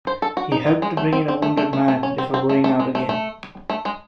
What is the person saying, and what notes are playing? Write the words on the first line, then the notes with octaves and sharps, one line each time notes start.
He helped to bring in a wounded man, before going out again.
C5
A4
F#4
D#4
D#4
G#3
A3
C4
C4
A3
A3
A3
A3
C#4
C4
C4
A3
A3
G#3
A3
A3
A3
G#3